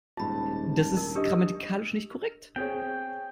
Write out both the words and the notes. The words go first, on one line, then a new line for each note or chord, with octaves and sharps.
Das ist grammatikalisch nicht korrekt.
D#1 G#2 F4 A5 B5
D#4 E4 A#4
D4 G4 D#5 D#6 E6
C4 G#4 C#5 G5